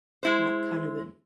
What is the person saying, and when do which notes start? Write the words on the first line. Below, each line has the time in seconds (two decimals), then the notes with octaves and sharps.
Matt Canavan.
0.23 G#3 E4 C5